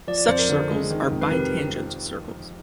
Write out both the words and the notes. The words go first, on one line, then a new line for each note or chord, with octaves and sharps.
Such circles are "bi-tangent" circles.
F3 D5
D5
F2 C5
A#4
D3
G#3
D#3
F2
B4
C3 A#4